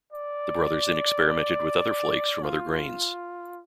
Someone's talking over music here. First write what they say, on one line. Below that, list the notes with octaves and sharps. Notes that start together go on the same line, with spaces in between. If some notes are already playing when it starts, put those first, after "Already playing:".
The brothers then experimented with other flakes from other grains.
D5
D5
F4